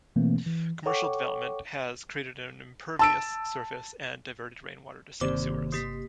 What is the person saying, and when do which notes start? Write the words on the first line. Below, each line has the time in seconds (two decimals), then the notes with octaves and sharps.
Commercial development has created an impervious surface and diverted rainwater to city sewers.
0.16 B2 E3 A3 A#3 C4
0.46 E3
0.86 A4 C#5 F#5 G5 C#6 D6
2.99 A5 E6 D7
5.21 G1 D#2 C3 C5 D5 D6
5.72 A#3 G4 B6